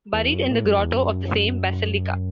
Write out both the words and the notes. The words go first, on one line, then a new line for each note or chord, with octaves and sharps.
Buried in the grotto of the same basilica.
E2
F#2
A2
F#2
E2
F#2